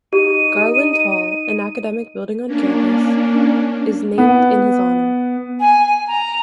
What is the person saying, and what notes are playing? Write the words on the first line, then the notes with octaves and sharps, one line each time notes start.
Garland Hall, an academic building on campus, is named in his honor.
D#4 G4 D#7
A#3 C#4 D4
B3
G#5
A#5